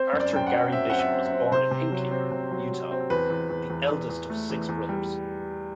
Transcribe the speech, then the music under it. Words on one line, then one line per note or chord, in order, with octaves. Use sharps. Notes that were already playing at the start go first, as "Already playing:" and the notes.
Arthur Gary Bishop was born in Hinckley, Utah, the eldest of six brothers.
Already playing: C4 C5
F#2
D5
F#2 G5
F#5
F#3
C4 E5
C4 F#5
E5
C4
E5
C4
C3 C5
C3
F#3
C4
C3
F#3
F#3
C4
E2 B4
E2
E2
E2
E2
E2
A3
E2
E2
G3